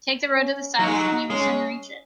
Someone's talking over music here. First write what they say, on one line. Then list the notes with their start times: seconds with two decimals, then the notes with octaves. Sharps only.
Take the road to the South and you will soon reach it.
0.28 C#4
0.79 F#3 D#4
0.88 G#3
0.95 F#3
1.30 G#3 C#4